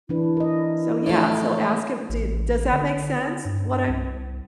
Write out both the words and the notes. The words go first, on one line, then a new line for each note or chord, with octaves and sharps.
So, yeah, so ask him, do Does that make sense, what I'm
E3 D4 E4 B4
A#4 D#5
A2 C#3 F3 C#5
A1
D3
G2
C2